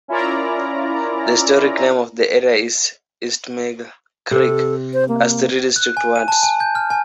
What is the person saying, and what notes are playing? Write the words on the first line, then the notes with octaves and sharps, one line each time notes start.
The historic name of the area is "East Mill Creek", as three distinct words.
C#4 E4 F4 A#4 D5 A#5
C3 A4
C5
A#3
F#6
G#5
D#7
A5
G#5
G6
F6
G#5